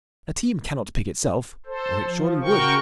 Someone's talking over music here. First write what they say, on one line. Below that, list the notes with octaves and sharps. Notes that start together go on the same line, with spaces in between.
A team cannot pick itself, or it surely would.
A4 C5
F3
C#3 F#4 A#4 G5 C#6